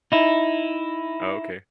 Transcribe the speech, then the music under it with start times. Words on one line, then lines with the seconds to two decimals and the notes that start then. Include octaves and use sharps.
Oh, okay.
0.12 D#4 E4